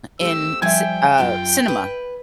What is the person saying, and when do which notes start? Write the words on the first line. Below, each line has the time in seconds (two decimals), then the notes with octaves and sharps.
in ci uh, cinema,
0.21 A3 C4 G4 E6
0.62 F3 G3 E5 G5 G#5 G#6
1.18 F#2 F4 G4
1.68 B4